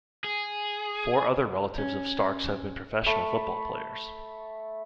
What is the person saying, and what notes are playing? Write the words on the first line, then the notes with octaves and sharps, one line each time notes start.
Four other relatives of Starks have been professional football players.
G#4
C#4
A3 B5